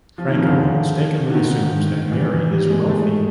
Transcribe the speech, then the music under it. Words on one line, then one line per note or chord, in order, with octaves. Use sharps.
Franco mistakenly assumes that Mary is wealthy.
F3
D#3
C#3
D3
D#3
D3
D#3
E3
G3
G#3
A3